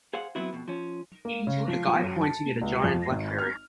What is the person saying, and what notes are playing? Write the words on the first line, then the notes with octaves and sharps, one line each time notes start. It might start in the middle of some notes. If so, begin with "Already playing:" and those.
A guy pointing at a giant Blackberry.
G#4 C5 F5 F#5
F#3 B3 C4 E4 F#4
F2 B2
F3 C#4
A#3
C#3
F3
F3
F#2
A5
C#2
F2
G#1
F6